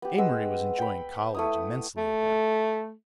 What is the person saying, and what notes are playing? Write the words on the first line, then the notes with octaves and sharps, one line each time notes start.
Amory was enjoying college immensely again.
B3 G4
G#3 B4 F#5 E6
G5 B5
A3 E4 D#6
A3